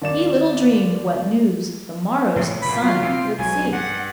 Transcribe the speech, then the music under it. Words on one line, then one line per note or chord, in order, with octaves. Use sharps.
He little dreamed what news the morrow's sun would see.
D#2 D5 E7
A2 C3 G#3
F1 A#2 B5
F#3 F4
C3 C4
B1 F#3 G#5
G2 F#5